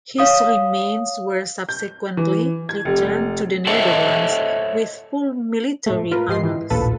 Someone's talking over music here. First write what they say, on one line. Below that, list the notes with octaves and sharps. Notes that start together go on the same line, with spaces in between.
His remains were subsequently returned to the Netherlands with full military honours.
C#5 F5 D#6
G6
E3
G#6
F1
A4 C5 C#5 D#5 E5 A5
A2 A3
F4 A#4 B4
G#2 G4 D#5 C6 C7
E3
A#1 D#2 A2 F4 A4 B4